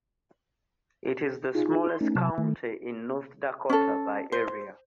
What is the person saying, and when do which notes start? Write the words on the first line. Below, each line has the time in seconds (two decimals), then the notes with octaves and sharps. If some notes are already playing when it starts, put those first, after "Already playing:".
It is the smallest county in North Dakota by area.
1.55 D#4 F4 G#4
1.89 C6
2.01 A3 C#4 D#4
2.15 C3 F#3 A5
2.38 D#3 A3
3.69 C#4 A4
4.32 C5